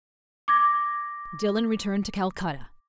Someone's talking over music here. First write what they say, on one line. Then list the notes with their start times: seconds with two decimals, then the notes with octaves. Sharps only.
Dillon returned to Calcutta.
0.48 D6 G#6 A#6